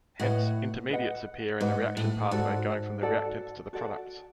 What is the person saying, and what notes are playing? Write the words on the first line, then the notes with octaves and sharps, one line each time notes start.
Hence, intermediates appear in the reaction pathway going from the reactants to the products.
A2 B4 D#5 F#5
B4 D#5 F#5
G#2 B4 D#5 F#5
A2
G#2 F#4 A4 D5 F#5
F#4 A4 D5 F#5
F#4 A4 D5 F#5